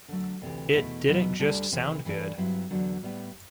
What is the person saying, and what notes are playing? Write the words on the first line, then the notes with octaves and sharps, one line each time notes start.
It didn't just sound good.
D3 F#3 A3
D2 C3 E3
E2 B2 A3 E4
E2 B2 F#3 B3
D2 D3 G3 D4
D2 C3 E3
G2 E3 A3 D4
G2 F#3 C4 E4
E2 D3 F#3
A2 G3 B3